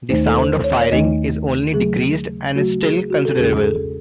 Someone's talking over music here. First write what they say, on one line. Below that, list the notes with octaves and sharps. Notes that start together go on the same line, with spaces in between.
The sound of firing is only decreased and is still considerable.
D#2 D#3 A3 D#4 C5
A4
C5
C#5
C#5
D#2 D#3 A3 D#4 D#5
C#3 F#3 A3 G#4
C#3 F#3 A3 F#4
G#4
F#4
A4
E2 C#3 G#3 C#4 G#4
G#4
A4